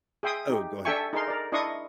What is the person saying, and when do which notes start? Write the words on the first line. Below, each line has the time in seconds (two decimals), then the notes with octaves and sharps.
Oh, go ahead.
0.23 G#4 E5 G5 C6 D#6
0.49 D#4 G4
0.85 D4 A4 E5 G5 G#5 C#6
1.13 D#4 G#4 A#4 C6
1.28 A#4 D5
1.52 D4 E4 D#5 C6 C#6 D#6